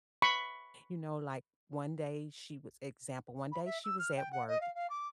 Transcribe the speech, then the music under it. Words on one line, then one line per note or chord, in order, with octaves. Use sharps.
You know, like, one day she was example, one day she was at work
B5 C#6
B5
E5
E6
F6
G5
F#5
D#5
F5
F5
D6